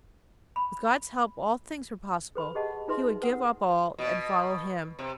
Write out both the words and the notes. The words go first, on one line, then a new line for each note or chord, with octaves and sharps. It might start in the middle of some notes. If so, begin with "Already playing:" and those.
With God's help all things were possible; he would give up all and follow Him.
B5
A4 B4 B5
G4 G#4 D#5 F#5 A5
D#4 F4 G#4 B4 E5 C6
A4 B4 F#5 D#6
B2
C3